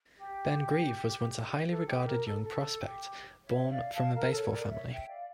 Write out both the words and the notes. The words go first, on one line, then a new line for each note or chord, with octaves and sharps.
Ben Grieve was once a highly regarded young prospect, born from a baseball family.
G4
A4
G4
A#4
A4
A4
G4
C#5 E5
D5 F5
F5 A5
A#4
A4 C#5
A#4 D5
C#5 E5
E5 G5
D5 F5